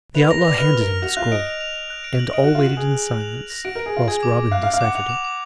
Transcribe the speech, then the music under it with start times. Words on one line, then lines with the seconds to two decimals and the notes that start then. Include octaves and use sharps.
The outlaw handed him the scroll, and all waited in silence whilst Robin deciphered it.
0.15 B4 F7
0.26 A#4
0.31 A#6
0.37 B4
0.45 D5 F7
0.58 B4 F6
0.73 F6
0.81 A#4
0.88 F6
1.02 F#4 F7
1.17 F4 F#6
1.31 D#5 D7
1.47 F7
1.61 F7
1.76 F7
1.90 F#6
2.04 D7
2.19 F#7
2.33 D#5 D7
2.44 F#4
2.48 F#6
2.55 F4
2.63 F#4 F#7
2.77 G#4 F#6
2.91 F#6
3.06 F#6
3.20 F7
3.35 F#6
3.50 A#6
3.65 F#4 D7
3.75 A#4
3.79 D7
3.86 G#4
3.94 F4 D7
4.08 G#4 G#6
4.23 D6
4.38 D6
4.51 F5 F#6
4.63 F5
4.67 F#6
4.74 F5
4.81 F#5 D6
4.95 F#5 F7
5.09 D6
5.24 D6